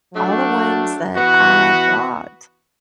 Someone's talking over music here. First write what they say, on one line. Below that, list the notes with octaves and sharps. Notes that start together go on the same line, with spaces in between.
all the ones that I blocked
F#3 A3 D4 F#4
E3 B3 F#4